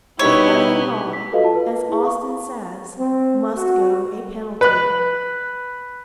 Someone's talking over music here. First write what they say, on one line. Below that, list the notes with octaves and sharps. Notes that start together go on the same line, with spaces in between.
With every law, as Austin says, must go a penalty.
B2 G3 B3 D#4 E4 G4 C#5
B6
F4 F#4 A4 B4 D#5 F5
F4 A5
B4
E4 G#4
F5 C#6
C4
F#4
B4 F#6